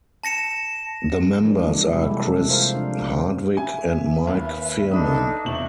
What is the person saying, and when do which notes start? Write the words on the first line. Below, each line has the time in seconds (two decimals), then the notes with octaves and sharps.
The members are Chris Hardwick and Mike Phirman.
0.23 A5 A#6 C#7 E7
1.43 E3 F3 G#3 A#3 D4
1.92 C3 G3 G#3 E4 G4 E5
2.11 A4
2.47 C3 F4 A#4 C5 F5
2.75 F3 D4
3.57 E5 G#5
4.27 D#2 B4
4.91 D4 D#4 A4 B5 D#6
5.45 E1 C3 E5 C#6 F#7